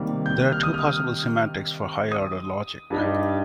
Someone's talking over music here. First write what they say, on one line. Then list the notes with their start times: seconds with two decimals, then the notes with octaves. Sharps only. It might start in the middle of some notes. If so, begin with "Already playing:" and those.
There are two possible semantics for higher order logic.
Already playing: C3 D#3 G3 A#3
0.26 G6
0.53 F6
0.63 D#6
0.74 F6
2.11 D#6
2.90 G2 G3 D#4